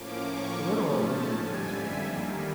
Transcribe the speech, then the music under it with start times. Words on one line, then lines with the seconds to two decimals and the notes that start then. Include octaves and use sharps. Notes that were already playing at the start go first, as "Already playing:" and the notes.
The little old woman was very angry.
Already playing: A2 F3 A#3 C#4 D6
0.26 C#6
0.61 G#2 F3 A3 C#4
0.97 A5
1.32 F2 D3 G3 G#5
1.68 E5
2.03 D#2 D#3 G3 A#3